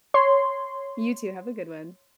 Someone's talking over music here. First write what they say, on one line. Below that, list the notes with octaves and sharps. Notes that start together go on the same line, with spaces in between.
You too, have a good one.
C#5 C6